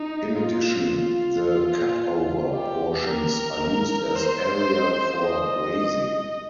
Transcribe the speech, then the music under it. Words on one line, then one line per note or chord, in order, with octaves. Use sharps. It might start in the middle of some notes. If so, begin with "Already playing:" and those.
In addition, the cutover portions are used as area for grazing.
Already playing: D#4
F4
G4
A#4
C5
D#5